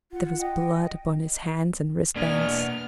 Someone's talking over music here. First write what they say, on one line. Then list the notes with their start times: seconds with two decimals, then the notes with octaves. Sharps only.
There was blood upon his hands and wrist-bands!
0.12 F4 F#5
0.40 D#5 G5
2.16 E2 B2 A#3 B3 D4 F6 G#6